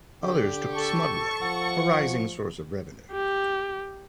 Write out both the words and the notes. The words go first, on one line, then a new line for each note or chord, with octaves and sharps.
Others took to smuggling, a rising source of revenue.
D3 G4
A4 A5 C#6
F3 F#5
G4